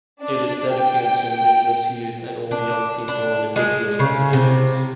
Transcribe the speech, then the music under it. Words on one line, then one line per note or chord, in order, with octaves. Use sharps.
It is dedicated to indigenous youth and all young people on indigenous reservations.
D4
G5
D4
D4
G#3
C#3
C3